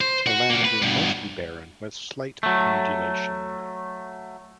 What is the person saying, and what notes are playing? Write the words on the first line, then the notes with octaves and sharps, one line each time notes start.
The land is mostly barren with slight undulation.
C5
F#4
A#3 F#4
B4
G2 B2
F#3 A3